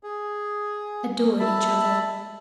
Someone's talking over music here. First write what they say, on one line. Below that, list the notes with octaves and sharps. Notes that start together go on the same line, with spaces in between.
Adore each other.
G#4
E5 A5 B5